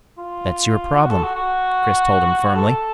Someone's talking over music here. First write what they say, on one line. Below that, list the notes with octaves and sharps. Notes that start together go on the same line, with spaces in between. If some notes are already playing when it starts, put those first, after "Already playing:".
"That's your problem," Chris told him firmly.
F4
F#4
A4
F#4
F#4
A4